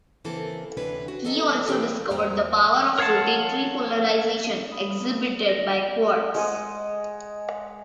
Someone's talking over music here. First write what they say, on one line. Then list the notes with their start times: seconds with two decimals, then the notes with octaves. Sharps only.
He also discovered the power of rotatory polarization exhibited by quartz.
0.24 C#3 E3 A#3 C4 A4
0.77 D2 C3 E3 C#4 D4 B4
1.08 F#4
1.25 B3 F#4 A4 D#5 A#5
1.67 B2 E3 E4 G4 G#4 G5
2.10 E2 A2 A#3 C5 G5 A#5
2.98 A#4 C#5 F5 F#5 A5
4.72 B5 D#6
5.46 D5 A#6
6.34 G#3 F#5 D#6